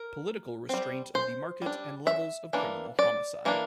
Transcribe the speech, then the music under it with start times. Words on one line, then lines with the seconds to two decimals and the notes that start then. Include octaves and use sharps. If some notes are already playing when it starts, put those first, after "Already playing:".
Political Restraint of the Market and Levels of Criminal Homicide.
Already playing: A#4
0.69 G3 C4
1.15 C5
1.62 G3 D4
2.07 E5
2.53 E3 A#3 D4
2.99 D5
3.45 E3 A#3 D4